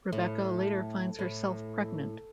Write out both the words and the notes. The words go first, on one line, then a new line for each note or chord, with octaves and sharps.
Rebecca later finds herself pregnant.
A2
A2